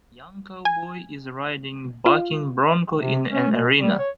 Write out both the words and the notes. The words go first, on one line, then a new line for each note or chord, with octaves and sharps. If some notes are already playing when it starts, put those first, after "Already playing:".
A young cowboy is riding bucking bronco in an arena.
G#5
F4
C3
C#4
B2
G3
C#5